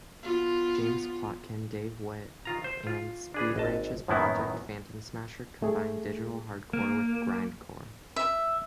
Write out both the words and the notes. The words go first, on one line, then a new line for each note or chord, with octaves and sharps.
James Plotkin, Dave Witte and Speedranch's project Phantomsmasher combined digital hardcore with grindcore.
B3 F4
D#3 F4 A#5
C5
F4
D4 G#4 B4
G#1 D#5 A5
F#2 A2 D#3 A#3 B3 E4
A3 G#4
A#3
E5